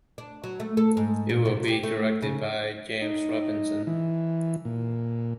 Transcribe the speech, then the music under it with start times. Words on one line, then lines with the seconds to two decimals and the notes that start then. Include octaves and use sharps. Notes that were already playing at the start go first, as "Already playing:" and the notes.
It will be directed by James Robinson.
0.18 D4
0.44 F#3
0.60 A3
0.77 A4
0.97 G#2
1.29 A#2
1.45 C3
1.68 G4
1.83 A3
2.22 C#3
3.02 D#4
3.87 E3
4.65 A#2